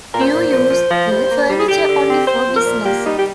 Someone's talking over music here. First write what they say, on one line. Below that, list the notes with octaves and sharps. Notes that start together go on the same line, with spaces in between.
You use the furniture only for business.
A#2 A#4
C5
A#2
F3
F3
F3
G3
A#3
G3
G#4
D3 G4
D3
C4
C4 C5
F3
A#4
A#2
A#3 G4
G3 D#4
G4